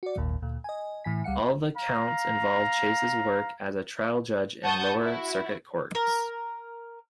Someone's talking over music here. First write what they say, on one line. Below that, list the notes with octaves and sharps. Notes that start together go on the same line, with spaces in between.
All the counts involved Chase's work as a trial judge in lower circuit courts.
F#4 D5
G#1 D#2 A#2
D2 A#2
D#5 G#5
A2 E3 G#5 B6
C#2 G3 F5 F#5 C#7
F5 A#5
F#5 A5 C#6 D#6 G6
E4 F#4
A#4